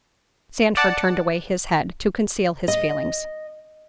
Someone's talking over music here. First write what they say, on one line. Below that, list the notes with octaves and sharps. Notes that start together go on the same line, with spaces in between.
Sandford turned away his head to conceal his feelings.
D5 F#5 A5
D#5